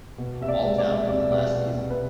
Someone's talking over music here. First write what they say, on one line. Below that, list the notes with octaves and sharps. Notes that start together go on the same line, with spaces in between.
Walt out in the last season.
B2
C2 E5
D5
G#3
D5
G#3 E5
D5
C2 D5
E5
B2 D5
B2
C2
B4